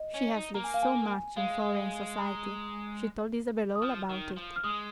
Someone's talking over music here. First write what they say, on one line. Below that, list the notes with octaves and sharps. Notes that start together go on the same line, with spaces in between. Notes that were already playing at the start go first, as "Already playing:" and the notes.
She has lived so much in foreign society; she told Isabel all about it.
Already playing: D#5
C#4
D#4
A#3 A#5
G#5
F5
G#5
G#3 F5
A#5
D#6
F3 F6
D#3
F3
F6
G#3 D#6